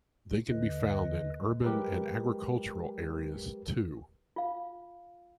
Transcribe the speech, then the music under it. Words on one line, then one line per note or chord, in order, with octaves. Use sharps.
They can be found in urban and agricultural areas, too.
D#2 D3 B4 D#5
F#3 G#3 G4 A#4 B4
F4 F5